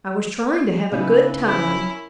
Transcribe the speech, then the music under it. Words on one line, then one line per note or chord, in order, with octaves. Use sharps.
I was trying to have a good time.
C#3 B3 D#4 E4 B4
C#4 E4 A#4